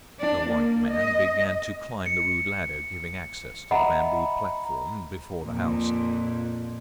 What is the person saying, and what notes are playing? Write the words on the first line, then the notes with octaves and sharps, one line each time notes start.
The white man began to climb the rude ladder giving access to the bamboo platform before the house.
D4
A#3
D#5
C#7
D#5 E5 F#5 A#5 B5
F2 A#2